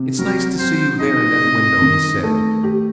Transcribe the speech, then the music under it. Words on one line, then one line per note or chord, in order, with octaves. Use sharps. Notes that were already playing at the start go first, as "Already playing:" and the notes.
"It's nice to see you there in that window," he said.
Already playing: C3
F#3 A#4
C4 C5
D#4 D#5
C3
D#3
A3
G4